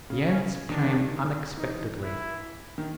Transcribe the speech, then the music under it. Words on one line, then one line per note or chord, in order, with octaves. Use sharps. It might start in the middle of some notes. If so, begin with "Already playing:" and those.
The answer came unexpectedly.
C#3
C#4
D#3 D4
D3
D#3
E3 D#4
E4
D#3